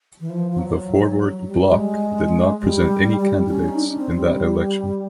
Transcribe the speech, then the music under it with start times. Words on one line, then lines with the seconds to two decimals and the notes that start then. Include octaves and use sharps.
The Forward Bloc did not present any candidates in that election.
0.20 E3
0.30 F3
0.51 F3
0.58 F#3
1.46 G3
1.75 G#3
2.61 G3
3.20 G3
3.49 C#4
3.68 D#4
3.78 D4
3.97 C4
4.16 G3